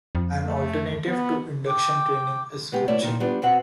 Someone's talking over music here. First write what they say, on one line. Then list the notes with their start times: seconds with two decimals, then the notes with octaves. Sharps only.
An alternative to Induction training is Coaching.
0.15 F2
0.45 A3
1.07 B3
1.66 G5 D6
2.72 G#3 B3 G4
2.88 A3 E4 C#5 D5
3.03 A#2 D#3 F3
3.20 G3 B3 D4 F4
3.42 B2 B3 C4 F#5